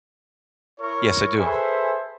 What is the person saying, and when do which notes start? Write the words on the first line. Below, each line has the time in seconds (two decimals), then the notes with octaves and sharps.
Yes, I do.
0.80 E4 A#4 C#5 C#6
1.38 G#4 A4 B4 C5 E5 G#5